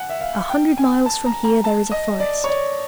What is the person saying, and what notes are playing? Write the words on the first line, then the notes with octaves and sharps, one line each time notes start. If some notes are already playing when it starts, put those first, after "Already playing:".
A hundred miles from here there is a forest.
Already playing: F#5 G#5
E5
F5
G5
G#5
A5
A#5
A#5
A5
D#5
D5
C#5
D5